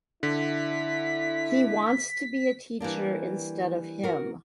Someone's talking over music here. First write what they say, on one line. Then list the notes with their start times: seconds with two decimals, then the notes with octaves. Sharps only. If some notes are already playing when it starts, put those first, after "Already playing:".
He wants to be a teacher instead of him.
0.23 D3 E4 B6
2.80 E3 G3 A#3 D4
4.03 F#4 A#4